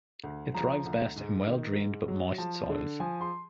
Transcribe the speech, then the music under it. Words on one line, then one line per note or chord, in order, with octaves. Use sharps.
It thrives best in well-drained but moist soils.
D2
F3 A#5
D2
G#2
D#3
G#2
F#3
F3 A5
D3
F3 G#5
C6